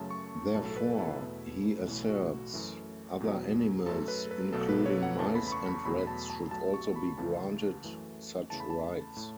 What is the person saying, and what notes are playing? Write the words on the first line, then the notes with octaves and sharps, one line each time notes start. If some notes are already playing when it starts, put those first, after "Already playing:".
Therefore, he asserts, other animals-including mice and rats-should also be granted such rights.
Already playing: F#2 C#3 F#3 A3 A5
C#6
B1 A2 F#3 A5
A4
B4
E4
E2 B2 A3
B1 A2 E3 A3
F#4
F#2 E3 A3
E2 B2 F#3
F#2 F#3 A3 A4
B4
B4
B1 B2 F#3 A3 A4
B4
C#5
F#5
E2 C#3 E3 A3 A5
B5
B5
C#6
B5
E2 B2 F#3 A3 B5
B5
A5
A5
B1 B2 F#3 A3 A5
C#6
B5
C#2 C#3 E3 A3 A5
F#2 E3 A3
E2 C#3 E3 A3 A5
B5
A5
A2 A3